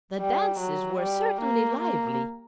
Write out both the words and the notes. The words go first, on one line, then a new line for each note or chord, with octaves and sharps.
The dances were certainly lively.
G3
F#3
G3
A#3
A#3